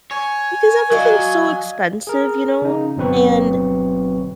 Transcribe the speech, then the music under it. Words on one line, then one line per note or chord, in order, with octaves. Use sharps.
because everything's so expensive, you know? And
C#5 G#5
F#3 D5 D#5 F5
G#4 A#4
C#3 D#4
G1 B2 F#3 C4 B4 C#6